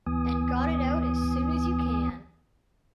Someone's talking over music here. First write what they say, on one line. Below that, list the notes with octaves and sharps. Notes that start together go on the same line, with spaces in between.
And got it out as soon as you can.
D2 E3 B3 G#5 D#6